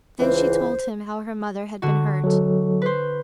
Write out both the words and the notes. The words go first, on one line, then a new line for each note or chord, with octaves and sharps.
Then she told him how her mother had been hurt.
C#2 E3 C5
D3 F#4
F#3 A4
B4 C5